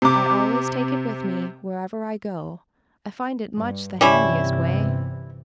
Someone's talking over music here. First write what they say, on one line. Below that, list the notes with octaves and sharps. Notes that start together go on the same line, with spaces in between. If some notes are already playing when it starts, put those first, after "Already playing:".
"I always take it with me wherever I go; I find it much the handiest way."
C3 D6
G2
G1 C3 E3 G3 C#4 E4